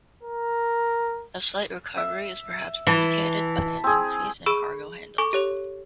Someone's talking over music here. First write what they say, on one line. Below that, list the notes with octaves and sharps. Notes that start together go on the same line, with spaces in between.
A slight recovery is perhaps indicated by an increase in cargo handled.
A#4
E5
E3 A5 B5
C4 G#4
G#4 B5 C#6 E6 D7
A4 G#5 C#6 D6
G4 C#5 F7